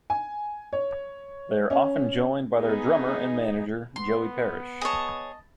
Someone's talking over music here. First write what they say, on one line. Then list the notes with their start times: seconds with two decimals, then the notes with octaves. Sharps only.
They are often joined by their drummer and manager, Joey Parish.
0.10 G#5
0.73 C#5
1.70 C#4
2.56 B3 D#4 G#4
3.96 B3 C6
4.81 G#4 C#5 D#5 A5